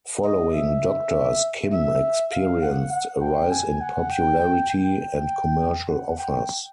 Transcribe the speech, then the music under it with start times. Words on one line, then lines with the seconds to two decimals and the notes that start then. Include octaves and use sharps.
Following "Doctors", Kim experienced a rise in popularity and commercial offers.
0.24 D#5
0.53 E5
1.73 E5
2.32 F5
2.62 F#5
2.92 F#5
3.21 G5
3.51 G#5
3.81 F#5
4.11 G5
4.40 G5
4.70 G5
5.89 F#5
6.19 G5